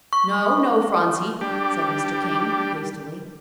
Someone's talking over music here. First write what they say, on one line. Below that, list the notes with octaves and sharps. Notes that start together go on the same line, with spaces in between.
"No, no, Phronsie," said Mr. King, hastily.
C#6
G3 D4 G4